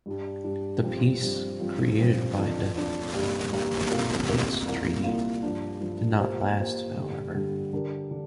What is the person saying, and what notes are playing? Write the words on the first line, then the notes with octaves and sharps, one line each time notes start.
The peace created by the Bates Treaty did not last, however.
G2 G3 D4
G2 G3 D4
G2 F3 C4 G4
G2 F3 C4 G4
G2 F3 C4
G2 F3 C4
F2 F3 D4
F2 F3 D4
G2 G3 A#3 G4
G2 G3 A#3 G4
D2 C3 A#3 F4 A#4
D2 C3 A#3 F4 A#4
C2 A#2 A#3 F4
C2 A#2 A#3 F4
G2 F3 D4
G2 F3 D4
A#2 A#3 G4 C5
A#2 A#3 G4 C5
G2 D3 G3
G2 D3 G3
D3 G3 D4 A#4
D3 D4